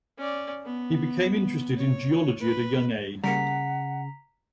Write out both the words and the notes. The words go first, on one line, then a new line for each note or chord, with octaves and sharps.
He became interested in geology at a young age.
C#4 D5
B3
C#5
B4
C#3 G3 A#3 F#5 A#5 B6